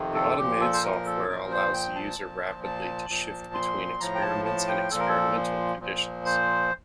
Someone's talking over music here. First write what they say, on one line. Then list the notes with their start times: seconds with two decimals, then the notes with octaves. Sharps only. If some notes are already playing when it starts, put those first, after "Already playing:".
The automated software allows the user rapidly to shift between experiments and experimental conditions.
Already playing: F2 C3 D#3
0.15 A4
0.38 A#2 F3 G4
0.61 A4
0.73 C5
0.83 A#4
1.06 A4
1.28 A#2 F3 A#4
1.51 C5
1.74 G5
1.95 A5
2.19 A#2 F3
2.64 A5
3.09 A#2 F3
3.54 C6
4.00 A2 F3 A#5
4.15 G5
4.22 A5
4.45 A5
4.68 G5
4.91 A#2 F3 A4
4.99 A#4
5.09 A4
5.80 A#2 F3
6.26 C5